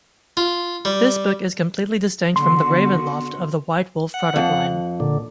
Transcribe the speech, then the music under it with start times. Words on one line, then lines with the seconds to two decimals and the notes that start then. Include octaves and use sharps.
This book is completely distinct from the Ravenloft of the White Wolf product line.
0.37 F4
0.85 G3
2.36 D3 B3 F#4 C6
4.14 F#5
4.36 F2
5.00 A#2 D3